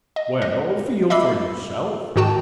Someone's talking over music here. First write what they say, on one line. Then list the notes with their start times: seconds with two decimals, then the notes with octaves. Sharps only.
"Well, feel for yourself."
0.16 D#5
0.42 D#5
1.10 D#5 E5 B5 D6 E6 C7
2.16 G#2 D#3 F#4 G5 A5